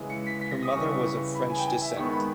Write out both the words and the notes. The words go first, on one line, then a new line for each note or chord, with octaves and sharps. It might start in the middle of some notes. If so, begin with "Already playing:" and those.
Her mother was of French descent.
Already playing: C#3 E3 G#3
C#7
B6
B6
A#6
D#6
C#3 E3 G3 C#6
B5
G#5
G5
G#5
E5
D#3 G#3 B3 C#6
B5